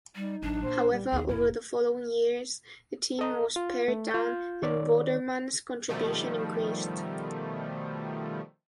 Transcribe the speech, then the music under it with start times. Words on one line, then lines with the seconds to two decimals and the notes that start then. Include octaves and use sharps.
However, over the following years, the team was pared down, and Vorderman's contribution increased.
0.16 G3 D#4
0.42 A1 F#3 D4
0.63 A#1 C5
0.92 G3
1.12 D#2 D#3 B3 G#4
1.29 F1 A#2 E4 A#4
3.19 A4 D#5 A#5
3.56 F4
3.88 A3
4.11 F4 G6
4.62 D#3 C#5 D5
5.89 B2 D#3 F3 G3 A3